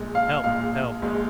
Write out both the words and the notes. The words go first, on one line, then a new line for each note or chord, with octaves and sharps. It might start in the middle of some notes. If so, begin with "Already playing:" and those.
"Help! help!"
Already playing: A#1 A#2 G#3
F5
A#1 A#2 G#3 F5
A#1 A#2 G#3